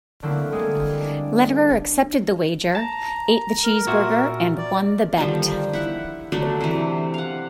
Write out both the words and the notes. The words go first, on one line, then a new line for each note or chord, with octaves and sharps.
Lederer accepted the wager, ate the cheeseburger, and won the bet.
D3 F#3 A3 A#3 C4 E4
G3 G#3 A#3 G#4
D4
A5 A#5
A#4
A#2 F#4 E5
D5
D3 D#3 F3 G3
E4 F#5
D3 F#3 A3 D4
C3 E3
F5 F#5